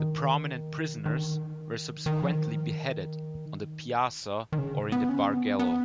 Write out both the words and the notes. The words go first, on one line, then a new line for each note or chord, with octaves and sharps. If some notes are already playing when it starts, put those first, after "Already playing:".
The prominent prisoners were subsequently beheaded on the Piazza or in the Bargello.
Already playing: D#3
D#3
D#3
F3
D#3
D#3
C#3
B3
C#4
B3
B3